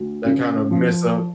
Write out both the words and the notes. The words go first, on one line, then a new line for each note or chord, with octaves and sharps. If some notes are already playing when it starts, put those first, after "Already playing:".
that kind of mess up
Already playing: D2
C#3
F3